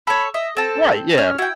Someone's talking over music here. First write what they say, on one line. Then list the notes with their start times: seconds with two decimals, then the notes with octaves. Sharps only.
Right, yeah,
0.07 A4 C#5 B5
0.34 D#5 E5
0.57 C4 A4 A5
1.18 C#4 F6
1.38 E4 F#4 G5